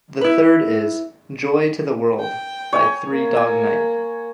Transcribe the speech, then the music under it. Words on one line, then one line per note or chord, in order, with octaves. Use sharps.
The third is "Joy To The World" by Three Dog Night.
E4 B4
G5
C#5 G#5
A#3
G#5